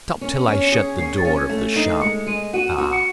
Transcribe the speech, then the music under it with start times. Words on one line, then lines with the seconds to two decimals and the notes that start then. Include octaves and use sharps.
Stop till I shut the door of the shop. Ah!
0.21 C#4
0.48 C#4
0.61 C#7
0.72 G#4
0.98 C#4 C7
1.17 A6
1.25 C#4
1.37 G#6
1.49 A3
1.75 D#4 C7
2.01 G#3 C#7
2.27 G#3 D#7
2.53 F#4 D#7
2.78 F#4
2.92 C#7